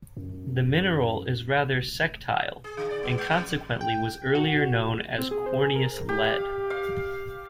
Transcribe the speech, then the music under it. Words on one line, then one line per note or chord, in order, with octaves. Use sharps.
The mineral is rather sectile, and consequently was earlier known as corneous lead.
F#2
F1
G#4
D3
D5
B3
G#3
F2
G5
F#4
C4
G#4
C5
G#4
A#4
G4
F5
F5